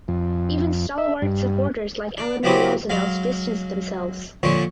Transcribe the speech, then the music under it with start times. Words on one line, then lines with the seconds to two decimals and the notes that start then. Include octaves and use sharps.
Even "stalwart supporters" like Eleanor Roosevelt distanced themselves.
0.08 F2
0.98 E5
1.22 G2
2.18 D4
2.43 C#3 E3 F#3 C4 F#4 G4
2.90 F#3 G#3 F5
4.43 A#2 D3 F3 C#5 C6 C#6